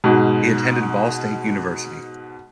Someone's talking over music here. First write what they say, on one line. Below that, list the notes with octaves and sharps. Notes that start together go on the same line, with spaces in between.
He attended Ball State University.
G#2 B2